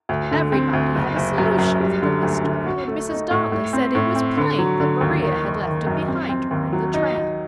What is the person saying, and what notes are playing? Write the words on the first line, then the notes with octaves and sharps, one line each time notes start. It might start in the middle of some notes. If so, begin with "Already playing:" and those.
Everybody had a solution for the mystery and Mrs. Donnelly said it was plain that Maria had left it behind her in the tram.
D2
D3
C4
D2
F#1
F#1
F#2
F#2
G3
D3
D2
D3
F#4
A3
D#4
A2
A2
C4
A2
C4
D3
F#3
D3
D#2
D#3
F#1
D#3
F#2
C4
C4
D#2
F#3
D#4
D#4